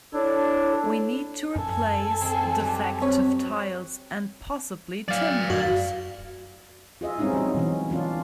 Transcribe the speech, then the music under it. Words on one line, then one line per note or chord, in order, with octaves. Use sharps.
We need to replace defective tiles, and possibly timbers.
D4 E4 A4 C#5
F#2 A4 G#5
G#3 C4
F#3 G3
C4 B4 C#5
F#3 D5 F5
F#2 F#4
F4 G#4 D#5 E5
G3 G#3 C4 C#4 D#4 E4
F#3 C#4
B2 E3 C#4
C#4 D4 F4